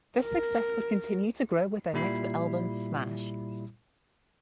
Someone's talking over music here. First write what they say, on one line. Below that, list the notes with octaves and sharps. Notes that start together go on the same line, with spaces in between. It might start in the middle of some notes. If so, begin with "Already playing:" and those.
This success would continue to grow with their next album, "Smash".
A#4
A#2 G3 E4 B5 C7